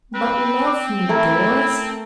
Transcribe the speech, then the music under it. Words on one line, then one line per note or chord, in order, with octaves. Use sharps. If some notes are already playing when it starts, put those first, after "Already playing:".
But love me, Doris.
C4 B4
A3 E4 A4 A#4